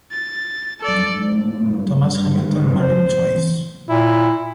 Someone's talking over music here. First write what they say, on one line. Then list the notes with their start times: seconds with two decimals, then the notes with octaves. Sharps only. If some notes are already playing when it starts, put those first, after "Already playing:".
Thomas Hamilton married twice.
0.12 A6
0.81 A4 D5
2.82 C5
3.90 A#2 E4